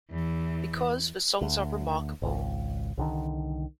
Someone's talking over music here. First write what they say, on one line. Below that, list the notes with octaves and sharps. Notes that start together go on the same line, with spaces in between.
Because the songs are remarkable.
E2 E3
D2
G#1 C#2
C2 D3 D#3